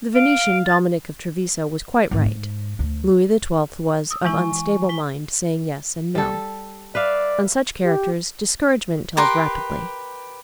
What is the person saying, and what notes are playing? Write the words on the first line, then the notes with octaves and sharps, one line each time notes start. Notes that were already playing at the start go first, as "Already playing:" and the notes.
The Venetian, Dominic of Treviso, was quite right; Louis XII. was "of unstable mind, saying yes and no." On such characters discouragement tells rapidly.
F5 D7
A6
G#1 D2
G#2
D2
D#6 E6
E3 G#3 E4 G#5 C#6
B6 G7
G3 A4
B4 D5 E5 F5
G4
G4 A#4 B4 C6